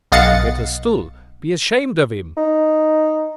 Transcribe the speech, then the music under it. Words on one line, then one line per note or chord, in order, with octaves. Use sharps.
And better still: be ashamed of him!
B1 D#5 F5 F#5 A6 C#7
D#4